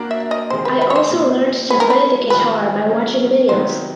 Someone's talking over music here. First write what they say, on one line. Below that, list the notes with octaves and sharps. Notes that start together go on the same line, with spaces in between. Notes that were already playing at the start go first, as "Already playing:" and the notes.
I also learnt to play the guitar by watching videos.
Already playing: A#3 D4 F#4 A#4 D5
E5
D#5
C3 D#3 G#3 C5
B4
B4
C#5
C5
C3 F3 A#3 D4
A#3 D#4 G#4 B4 C#5
A#4
B4
D#3 G3 C4 F4 B4
F#3 A#3 C#4
C3 D#3 F#3 B3 D#4 C5